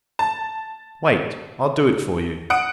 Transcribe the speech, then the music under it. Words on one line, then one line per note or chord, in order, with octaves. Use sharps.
"Wait: I'll do it for you."
A5
F#5 D#6 D7